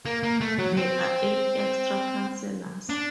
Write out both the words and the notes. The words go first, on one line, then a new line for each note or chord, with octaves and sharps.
There are eight extra councillors.
A#3
A#3
A3
F#3
C4
D4